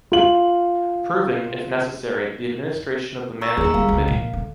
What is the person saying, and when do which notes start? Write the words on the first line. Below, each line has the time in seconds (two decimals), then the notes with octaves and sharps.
Approving, if necessary, the administration of the Managing Committee.
0.12 F4 F#7
3.41 A#5 C#6 E6
3.57 D#2 G#4 A#5
3.74 G3 F5
3.89 C#2
4.08 A#2 F3
4.33 D3